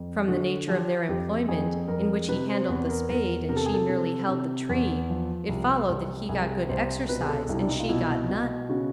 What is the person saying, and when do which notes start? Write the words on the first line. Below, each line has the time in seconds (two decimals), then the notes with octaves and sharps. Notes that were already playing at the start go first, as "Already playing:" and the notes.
From the nature of their employment, in which he handled the spade and she merely held the tree, it followed that he got good exercise and she got none.
Already playing: F2
0.28 D3 F#4
0.68 F3 G4
1.09 F2 G4
1.48 F2 G#4
1.88 F2 A#4
2.29 C3 B4
2.49 C5
2.69 E2 B4
2.89 A#4
3.09 E2 A#4
3.49 C3 A#4
3.57 A4
3.66 G#4
3.74 A4
3.89 C3
4.29 C3
4.69 E2
5.10 F3
5.49 C2
5.90 C2
6.29 C2 G#4
6.69 C2 C5
7.09 B2 B4
7.21 G#4
7.29 A4
7.49 C2 E4
7.60 D4
7.69 D#4
7.80 F4
7.89 B2 E4
8.29 B2
8.69 C#3 F#4